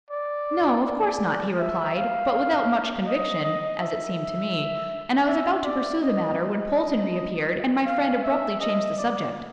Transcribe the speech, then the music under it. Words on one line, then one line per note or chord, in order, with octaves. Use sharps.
"No, of course not," he replied, but without much conviction, as it seemed to me; and I was about to pursue the matter when Polton reappeared, and my friend abruptly changed the subject.
D5
D5
E5
F5
D#5
D#5
E5
E5
D5
D#5
D#5
F5
E5
D#5
D5